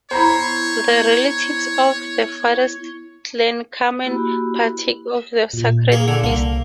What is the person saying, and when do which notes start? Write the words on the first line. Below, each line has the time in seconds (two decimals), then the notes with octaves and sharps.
The relatives of the father's clan come and partake of the sacred feast.
0.11 B3 E4 C5 C#5 A#5 B5
4.04 A#3 E4 F#4 G4 B5
5.54 A#2
5.92 A#3 G#4
6.08 D3
6.24 C2 A#3